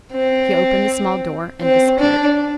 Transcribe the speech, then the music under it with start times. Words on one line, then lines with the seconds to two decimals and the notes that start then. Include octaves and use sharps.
He opened a small door and disappeared.
0.12 C4
1.62 C4
1.99 D4